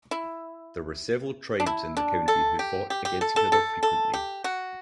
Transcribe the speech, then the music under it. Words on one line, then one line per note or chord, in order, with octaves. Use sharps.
There were several tribes in the country who fought against each other frequently.
E4
D4
E4
D4
A4
G4
G4
G4
A4
A4
A4
A4
G4
F#4